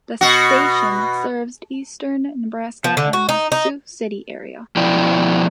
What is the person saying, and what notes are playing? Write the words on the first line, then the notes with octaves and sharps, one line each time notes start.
The station serves eastern Nebraska and the Sioux City area.
B2 F#4
F3
D3
F#4
D#4
D#4
B2 F3 E4 D5 G5